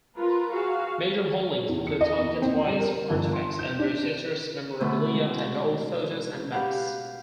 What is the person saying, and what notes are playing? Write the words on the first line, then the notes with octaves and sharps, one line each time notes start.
Major holdings include Tonka Toys artifacts, Andrews Sisters memorabilia and old photos and maps.
F4 A#4 B4
F#4 G#4 F5
E2
C#7
D#5
E2
C4
G3
A#4
G1
C6
G6
D4
B2 D3 A3 B3 C#4
G#3
G4 B4 F5 F#5